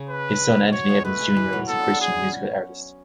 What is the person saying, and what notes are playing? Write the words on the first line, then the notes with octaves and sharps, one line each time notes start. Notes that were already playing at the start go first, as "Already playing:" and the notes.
His son Anthony Evans Junior is a Christian musical artist.
Already playing: C#3
B4
F#3 C#5
G#3
A3 B4
G#3
E3
F#3
B3 A4
D4
D4
G#4
C#4